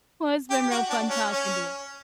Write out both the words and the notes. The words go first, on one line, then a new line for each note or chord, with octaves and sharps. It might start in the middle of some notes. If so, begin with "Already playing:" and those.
Well, it's been real fun talking to you.
G4
F#4
D4
C#4
C#4